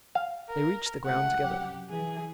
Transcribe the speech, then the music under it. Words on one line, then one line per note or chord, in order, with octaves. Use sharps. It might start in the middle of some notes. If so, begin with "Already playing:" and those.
They reached the ground together.
F5
A#4
C#2 C#3 A3 F#5
C2 F#2 G4
E3 G#4